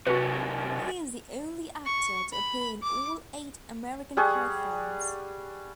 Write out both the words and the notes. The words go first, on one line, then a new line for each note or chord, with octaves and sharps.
He is the only actor to appear in all eight "American Pie" films.
D#2 C3 F#3 F#4 B4
C#6
B5
D6
G3 G#4 F#5 C#6